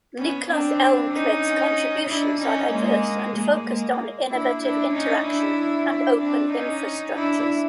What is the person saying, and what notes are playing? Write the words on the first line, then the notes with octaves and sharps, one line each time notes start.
Niklas Elmqvist’s contributions are diverse and focused on innovative interaction and open infrastructures.
B3 C#4
C4 D4
C#4 D#4
D4 E4
C#4 D#4
G#3 A#3
G#3 A#3
G#3 A#3
D4 E4
D4 E4
C#4 D#4
D4 E4
D4 E4
C4 D4
C#4 D#4
D4 E4